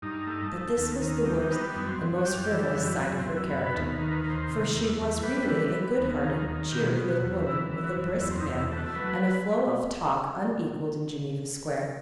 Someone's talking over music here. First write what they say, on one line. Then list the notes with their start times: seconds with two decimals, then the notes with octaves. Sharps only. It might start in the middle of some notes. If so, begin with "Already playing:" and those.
But this was the worst and most frivolous side of her character, for she was really a good-hearted, cheery little woman, with a brisk manner, and a flow of talk unequalled in Geneva Square.
0.02 G2 D#4
0.27 A3
0.52 A3
0.76 D#2
1.01 D#3
1.26 G3
1.51 B3 D#4
1.75 F#2
1.88 C4
2.01 F#2
2.18 F#4
2.25 G3 G4
2.44 G4
2.50 E3
2.62 A4
2.75 F#2
2.81 G4
3.00 F#2 B3
3.18 C4
3.25 F#2
3.37 E4
3.49 B3
3.56 F#4
3.66 B4
3.74 D#2 A4
3.93 B4
3.99 D#3
4.11 B4
4.24 D#3
4.30 C5
4.49 C3
4.74 E2
4.98 E2
5.23 G3 B4
5.48 E3
5.72 B3
5.98 D#2
6.23 D#3
6.47 D#3
6.72 B2 G4
6.97 B2
7.09 F#4
7.22 E2
7.46 E3 E4
7.71 E3
7.84 F#4
7.96 F#2
8.21 E2 E4
8.31 C4
8.40 D#4
8.46 E2
8.59 E4
8.71 A3
8.77 F#4
8.95 F#3 B4